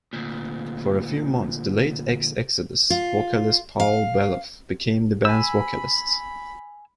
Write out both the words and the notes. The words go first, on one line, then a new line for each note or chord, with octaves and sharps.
For a few months the late ex-Exodus vocalist Paul Baloff became the band's vocalist.
D2 A#2
F4
F5
G#5 B5 E6